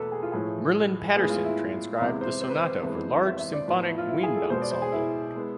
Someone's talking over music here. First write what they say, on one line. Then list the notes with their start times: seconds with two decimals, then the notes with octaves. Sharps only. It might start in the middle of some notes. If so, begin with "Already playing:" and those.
Merlin Patterson transcribed the sonata for large symphonic wind ensemble.
Already playing: E2 B2 A3 A4 B4
0.12 G#4
0.23 F4
0.32 A2 F3 A3 G#4
1.16 A2 G#3 B3 G#4
1.30 F4
1.45 E4
2.00 E2 C3 G#3 E4
2.21 C5
2.41 C5
2.50 B4
2.58 C5
2.83 F2 E3 G#3 B3
3.26 E5
3.39 E5
3.53 D5
3.68 A2 F3 B3
3.88 E4
3.98 F4
4.09 E4
4.23 G#4
4.37 A4
4.50 B2 G#3 B3 C5
4.62 D5
4.71 C5
4.82 G#4
4.92 E4
5.36 G#3 B3